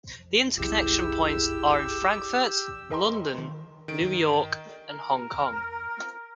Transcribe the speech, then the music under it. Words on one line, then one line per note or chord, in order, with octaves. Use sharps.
The interconnection points are in Frankfurt, London, New York and Hong Kong.
F#1 C2 F#2 E4 G4 G#4 E6
G#4 A#4 D#5 G5 A#5 C6
D#3
D#3 D7
A#4